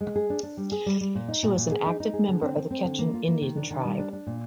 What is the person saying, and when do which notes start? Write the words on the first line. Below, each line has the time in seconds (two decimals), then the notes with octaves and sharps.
She was an active member of the Quechan Indian Tribe.
0.01 G#3
0.16 G#4
0.30 D4
0.43 D4
0.57 G3
0.72 G#4
0.86 G3
1.01 G3
1.15 A#2
1.28 D#4
1.43 A#2
1.57 A#2
1.71 G#4
1.86 D#4
2.00 D#4
2.13 G#4
2.28 D3
2.42 C4
2.57 C4
2.71 C4
2.85 D3
2.99 A#3
3.14 F4
3.28 A#3
3.42 D#3
3.56 D4
3.71 D#3
3.84 G3
3.99 D4
4.13 D4
4.27 A#2